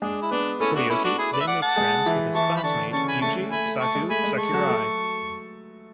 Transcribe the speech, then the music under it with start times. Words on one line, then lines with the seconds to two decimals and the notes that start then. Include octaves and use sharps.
Koyuki then makes friends with his classmate Yuji "Saku" Sakurai.
0.02 G#3 D4 G#4
0.22 E4
0.31 B3 D4 B4
0.60 A3 C#4 E4 A4
0.75 D4 F#4
0.90 C#4 E4
1.04 D4 F#4
1.18 E4 G#4
1.33 B4 D5
1.40 E5
1.47 D5 F#5
1.62 F#5 A5
1.76 G#3 G#4
2.06 E3 E4
2.34 E3 E4 A5 C#6
2.57 B5
2.64 D3 D4 A5 C#6
2.93 C#3 C#4 A5 C#6
3.08 G#5 B5
3.22 A3 A5 C#6
3.51 A3 G#5 B5
3.66 A3
3.80 A3 A5 C#6
3.95 G#3
4.10 A3 G#5 B5
4.24 G#3
4.38 A5 C#6
4.53 F#3 F#4
4.67 A3 A4